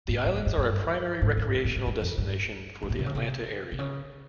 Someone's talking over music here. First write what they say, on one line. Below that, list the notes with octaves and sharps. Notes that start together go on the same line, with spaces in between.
The islands are a primary recreational destination for the Atlanta area.
G#2
G2
G#2
G2
G2
G#2
G2
G#2
A#2
G#2
G2
F2
G2
G#2
A#2
C3
C#3
C3
C3
C#3